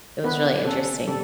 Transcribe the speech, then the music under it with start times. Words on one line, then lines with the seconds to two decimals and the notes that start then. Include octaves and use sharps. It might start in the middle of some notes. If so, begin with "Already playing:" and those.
it was really interesting.
0.24 B3 E4 B4
0.65 C#4 A4
1.08 G3 A4